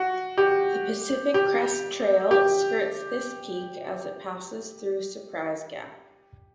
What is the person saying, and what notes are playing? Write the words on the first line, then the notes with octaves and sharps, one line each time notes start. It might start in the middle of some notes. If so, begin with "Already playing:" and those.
The Pacific Crest Trail skirts this peak as it passes through Surprise Gap.
Already playing: F#4
G4
G4
G4